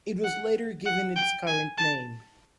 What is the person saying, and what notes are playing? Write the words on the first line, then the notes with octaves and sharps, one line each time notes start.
It was later given its current name.
F#5
F#5
G5
G#5
A5